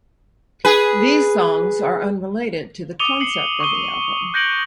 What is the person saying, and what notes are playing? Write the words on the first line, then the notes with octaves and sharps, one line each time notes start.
These songs are unrelated to the concept of the album.
G#4 B4
D6 D#6 C#7 D#7 F7 G7
C7 C#7 F#7
C#6 D#6 D#7 G7
F#6 G6 A#6 C#7 D7 F#7